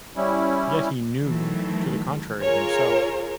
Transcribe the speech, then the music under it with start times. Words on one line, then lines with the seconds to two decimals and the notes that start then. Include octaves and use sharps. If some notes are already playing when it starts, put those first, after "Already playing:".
Yet he knew to the contrary himself.
0.17 G3 C#4 E4
1.21 D#3 E3 F#3 A3
2.41 F4 G#4 A#4 C#5